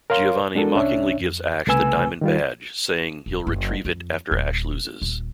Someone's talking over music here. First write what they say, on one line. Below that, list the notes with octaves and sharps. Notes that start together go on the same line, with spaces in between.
Giovanni mockingly gives Ash the Diamond Badge, saying he'll retrieve it after Ash loses.
A#4 C#5 F5 C6
G#3 D4 F#4 A4 A#4
C2 C#4 D4 C#5 E5
F2
C2 C#3 A3 B4 G#5 E6
D#3 G3 F4
D#1
F#1
F2
D#1
D#1